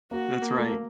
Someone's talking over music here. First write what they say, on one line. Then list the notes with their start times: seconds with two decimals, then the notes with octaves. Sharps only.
That's right.
0.11 A#3 F#4
0.42 A#3
0.58 A3
0.71 A#3